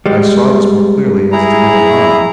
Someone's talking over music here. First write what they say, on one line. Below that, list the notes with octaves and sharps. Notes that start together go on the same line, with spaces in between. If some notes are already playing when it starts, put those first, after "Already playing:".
I saw this more clearly as dinner went on.
G3 G#3
E4 G#4 A#5